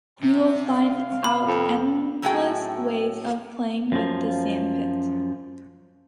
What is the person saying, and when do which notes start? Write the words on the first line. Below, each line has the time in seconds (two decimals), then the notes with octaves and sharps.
You will find out endless ways of playing with the sand-pit.
0.23 C3
0.67 F5
1.24 B5
1.47 F2
2.22 F#2 A2 C#4 F#4 G#4 G5
3.92 F#2 F3